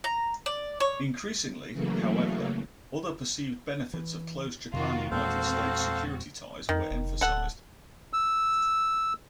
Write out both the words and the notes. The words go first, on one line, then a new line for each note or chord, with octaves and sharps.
Increasingly, however, other perceived benefits of close Japan- United States security ties were emphasized.
A#5
D5
C#5
C#3 E3 F#3 A3 A#3
E3
F2 C3 D#3 F4 F#4
E2 A#2 G#3 C4 F#4 A4 C5 F5
F2 D#3
F1
D1 A4 F#5
E6